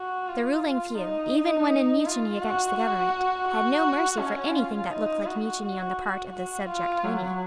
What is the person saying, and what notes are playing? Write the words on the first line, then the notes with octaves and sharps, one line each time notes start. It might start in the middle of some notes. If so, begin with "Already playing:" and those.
The ruling few, even when in mutiny against the government, had no mercy for any thing that looked like mutiny on the part of the subject many.
Already playing: F#4
F4
F4
D#4
F4
F#4
F#4
F#4
C#4
F4
D#4
F#4
F#4
F#4
F4
F#3